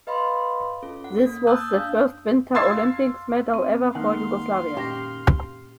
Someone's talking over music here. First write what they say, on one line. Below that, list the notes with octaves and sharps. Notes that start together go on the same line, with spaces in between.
This was the first Winter Olympics medal ever for Yugoslavia.
B4 D#5 F5 B5 C6
C#4 F4 A4
F#5
A#3
A5 D#6 E6 F#6 G6
D4 F5 G6
F5 C6 E6 G#6 A6 C7
C4
D#3 G#3 A#3 D#4 F5 F#5 C6
A#2 C#4 G4 A#6